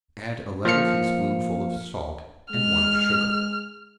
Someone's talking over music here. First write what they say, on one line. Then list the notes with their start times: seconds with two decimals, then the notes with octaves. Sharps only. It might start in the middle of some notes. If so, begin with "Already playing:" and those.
Add a level teaspoonful of salt and one of sugar.
0.65 F3 A#3 F5 F6 C#7
2.52 G#3 F6